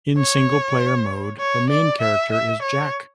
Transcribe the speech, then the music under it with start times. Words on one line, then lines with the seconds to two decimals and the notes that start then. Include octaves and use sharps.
In single player mode, the main character is Jack.
0.17 C#5
1.40 C#5
1.70 D5
2.01 E5
2.32 E5
2.62 C#5